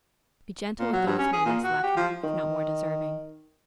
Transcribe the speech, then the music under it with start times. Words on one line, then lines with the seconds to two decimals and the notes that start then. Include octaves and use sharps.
Be gentle with those who are less lucky, if not more deserving.
0.79 A#2
0.93 F#3
1.06 G2
1.18 C#4
1.33 G#4
1.46 A#2
1.64 F#4
1.83 G4
1.96 F3
2.24 D#3